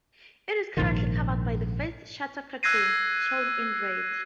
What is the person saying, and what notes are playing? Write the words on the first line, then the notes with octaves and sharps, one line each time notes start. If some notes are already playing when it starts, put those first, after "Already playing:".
It is currently covered by the first shutter curtain, shown in red.
A#1 G#2 D#3
E6 F#6 G#6 A#6 C7 D#7